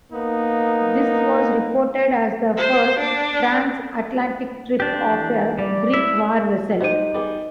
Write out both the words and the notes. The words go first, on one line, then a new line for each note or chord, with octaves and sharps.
This was reported as the first transatlantic trip of a Greek war vessel.
A#3 B3 D#4
C5
D4
F2 D4 G4 C5
E3
G3 D5
E4 E5
G3 D#4 G4 C5 D#5 F#5 D#7
G3 B3 D#4 G#4 D6